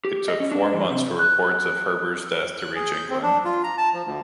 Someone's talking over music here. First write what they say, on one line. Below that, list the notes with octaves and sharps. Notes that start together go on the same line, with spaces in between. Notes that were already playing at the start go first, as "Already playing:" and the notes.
It took four months for reports of Heber's death to reach England.
G4
D#5
C#4
D4
E2
C3
F#6
F#6
G#4
G6
C4
D4
F4
A#5
A5
F3
D2